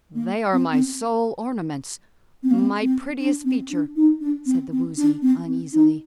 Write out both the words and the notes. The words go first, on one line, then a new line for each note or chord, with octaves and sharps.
"They are my sole ornaments, my prettiest feature," said the Woozy, uneasily.
A#3
C4
C4
C4
A#3
C4
C4
D4
C4
D4
D#4
D4
C4
C4
D4
C4
C4
D#4